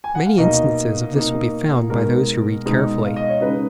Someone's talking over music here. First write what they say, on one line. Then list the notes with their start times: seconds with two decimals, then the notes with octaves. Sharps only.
Many instances of this will be found by those who read carefully.
0.04 G#5
0.15 F#5
0.26 F5
0.38 B2 A#3 D#4 D#5
1.13 B2 A#3 D#4
1.90 B2 G#3 D#4 A#4
2.66 B2 G#3 D#4
3.04 F5
3.16 D#5
3.29 C#5
3.41 C#3 G#3 D#4 B4